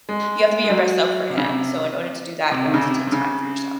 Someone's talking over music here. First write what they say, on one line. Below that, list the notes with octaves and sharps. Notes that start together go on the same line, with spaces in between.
you have to be your best self for him. So, in order to do that, you have to take time for yourself.
G#3
G#3
F#3
C3
C#3
C3
C3
D#3
C#3
C3
C3
C#3